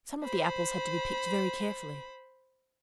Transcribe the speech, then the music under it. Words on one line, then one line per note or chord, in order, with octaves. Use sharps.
Some of the apples had to be picked very carefully.
C5 B5